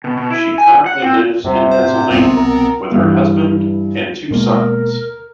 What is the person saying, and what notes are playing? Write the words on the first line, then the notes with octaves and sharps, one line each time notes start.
She currently lives in Pennsylvania with her husband and two sons.
B2
B2
E4
G#5
F#5
C4
F#2 C3 G3
C5
A2
G1 C2 G#2 B3 C4
C2 B2 A#4
G2 E3
B2 G#3 A#3 A#4